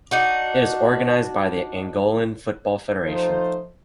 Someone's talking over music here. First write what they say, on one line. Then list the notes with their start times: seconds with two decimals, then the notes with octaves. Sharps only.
It is organized by the Angolan Football Federation.
0.11 D4 D#4 F#4
3.05 F3 A3 D#4 F4 A4 C5